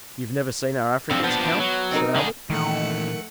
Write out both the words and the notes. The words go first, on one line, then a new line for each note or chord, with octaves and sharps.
"You have never seen our Africans, count?" said Albert.
D3 F3 C4
F3 B3 D4
F#3
C4 D#4 A#4
D3 G#4
A#2 D#3 E3 A3 F#5